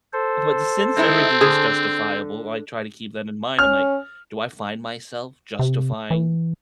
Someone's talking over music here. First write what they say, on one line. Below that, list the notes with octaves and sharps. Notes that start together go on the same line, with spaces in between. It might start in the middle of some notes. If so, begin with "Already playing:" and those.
but the since everything is justifiable, I try to keep that in mind, I'm like, "Do I find myself justifying
A4 C5
G#3 C4 D#4 E4
D3 G#4
C#4 F6
C3
E3